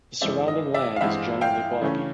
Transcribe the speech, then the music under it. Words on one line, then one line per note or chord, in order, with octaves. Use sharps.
The surrounding land is generally boggy.
G2 E3 G#3 C4 D5 E5
D#5
D5 E5
F5
G2 E3 G#3 C4 E5 F#5
F5 G5
C#3 E3 A3 C#4